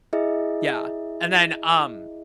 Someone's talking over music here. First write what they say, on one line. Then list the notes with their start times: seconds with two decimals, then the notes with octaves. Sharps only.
Yeah, and then, um
0.13 E4 G#4 D#5 E5